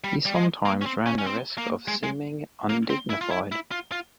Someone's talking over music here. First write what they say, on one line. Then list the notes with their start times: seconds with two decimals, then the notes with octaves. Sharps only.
He sometimes ran the risk of seeming undignified.
0.04 G3
0.26 G3
0.35 G#3
0.65 A#3
0.82 C#4
0.86 C4
1.06 C#4
1.18 C#4
1.26 C4
1.58 A#3
1.88 G#3
2.03 G#3
2.70 A#3
2.90 C4
3.10 E4
3.21 F4
3.31 E4
3.52 E4
3.71 F4
3.92 F4